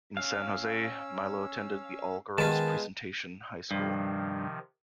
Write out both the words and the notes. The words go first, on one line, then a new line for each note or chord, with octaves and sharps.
In San Jose, Milo attended the all-girls Presentation High School.
C#4 F5 E6
D#3 G#3 B3 F4 G#4 B4 A5
G2 C3 D#3 F3